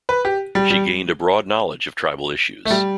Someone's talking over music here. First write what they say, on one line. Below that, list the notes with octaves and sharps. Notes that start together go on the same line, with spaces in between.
She gained a broad knowledge of tribal issues.
B4
G4
G3
G3
A3
G3